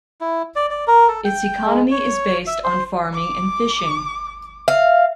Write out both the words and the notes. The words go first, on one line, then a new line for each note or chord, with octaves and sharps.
Its economy is based on farming and fishing.
E4
D5
D5
A#4
A4
G5
G#3
C#5
E5
C5
D6
E5 F5